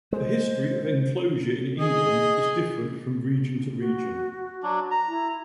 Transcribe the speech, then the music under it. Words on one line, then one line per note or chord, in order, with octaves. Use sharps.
The history of enclosure in England is different from region to region.
G#3 C5
G#4 D#5
F#4
F#3 D4
A#5
E4